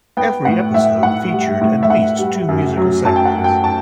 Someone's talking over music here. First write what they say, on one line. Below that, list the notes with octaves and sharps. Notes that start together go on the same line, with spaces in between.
Every episode featured at least two musical segments.
B3 G5
A2 F#5
A2 E5
A2 F#5
G3
A2
E5
A2 F#5
G3
F#2
F#3
F#2 A5
G5
F#5
F#2
G5
A5